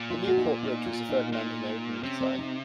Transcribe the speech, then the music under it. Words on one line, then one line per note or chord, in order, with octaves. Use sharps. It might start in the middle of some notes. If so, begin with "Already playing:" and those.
The Newport bridge was a Ferdinand Arnodin design.
Already playing: A#2
F4
F#4
D#4
F4
D#4
F4
D#4
A#2
C3 C#4
C4
D#4